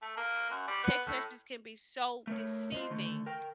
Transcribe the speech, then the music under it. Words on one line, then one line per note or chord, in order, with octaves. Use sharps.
Text messages can be so deceiving,
A3
A#3
F#2
G3
B3
A2
A3 A#4 C#5
F4 C5 D#5
D3 D#3 A3
A#4 G5